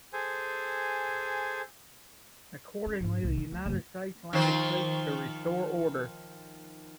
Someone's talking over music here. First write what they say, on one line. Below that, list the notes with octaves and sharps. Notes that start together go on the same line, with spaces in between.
Accordingly, the United States landed troops to restore order.
G#4 A4 C5 G#5
C#4
G#2 D4
C2 A2
D#3
D2
F#1 G#2
D#3 F3 C5